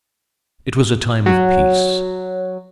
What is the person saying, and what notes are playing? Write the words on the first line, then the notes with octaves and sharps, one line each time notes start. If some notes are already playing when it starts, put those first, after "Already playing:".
It was a time of peace.
F#3